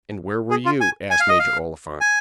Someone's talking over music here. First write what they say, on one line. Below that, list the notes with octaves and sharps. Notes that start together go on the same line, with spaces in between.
"And where were you?" asked Major Oliphant.
G#4
F4
G#5
G#5
F5
D#5
F5
G#5